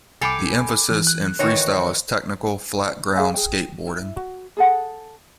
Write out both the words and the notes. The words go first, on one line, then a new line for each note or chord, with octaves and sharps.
The emphasis in freestyle is technical flat ground skateboarding.
C2 A4 F5 G5 G#5 B5 D6
E3
F#6
D#3 E3 F#4 C#5
G#4 F5 G#5
G#4 G5
E4
F#4
G#4 A4 F#5